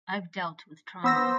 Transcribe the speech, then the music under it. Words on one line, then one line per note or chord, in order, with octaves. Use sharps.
I’ve dealt with trauma.
B3 C5 E6 A#6